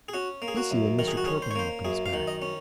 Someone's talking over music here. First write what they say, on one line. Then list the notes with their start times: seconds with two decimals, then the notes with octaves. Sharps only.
You'll see when Mr. Torpenhow comes back.'
0.09 G#4
0.13 C#4 F#4
0.42 A#3
0.48 G#4
0.57 F#4
0.71 F#2
0.99 D#3 A#4
1.08 G#4
1.17 F#4
1.26 C#4 G#4
1.42 C5
1.51 C#5
1.55 A#3 C5
1.85 F#2 G#4
2.06 F5
2.13 D#3
2.27 D#5
2.42 C#4